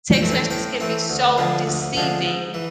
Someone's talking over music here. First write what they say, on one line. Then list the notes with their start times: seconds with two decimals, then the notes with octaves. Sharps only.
Text messages can be so deceiving,
0.13 G5
0.22 E3 A3 C4
0.31 G#5
0.50 A2 G5
0.80 E3 A3 C4
1.10 D2
1.38 D3 F3 G#3
1.67 D2
1.96 D3 F3 G#3
2.25 G#2
2.54 E3